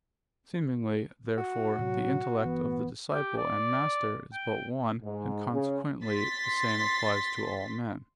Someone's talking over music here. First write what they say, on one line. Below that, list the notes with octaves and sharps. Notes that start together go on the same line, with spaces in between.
Seemingly, therefore, the intellect of the disciple and master is but one; and, consequently, the same applies to all men.
F#4
A2 C3 F#3
G1 E3 B3
G4
D5
G5
G#2
C#3
C6 A6 B6